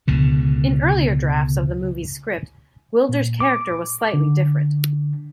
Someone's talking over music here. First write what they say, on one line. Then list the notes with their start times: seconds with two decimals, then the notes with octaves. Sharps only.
In earlier drafts of the movie's script, Gwildor's character was slightly different.
0.08 C#2 B2 D3
3.09 A#2
3.40 D6
4.13 D3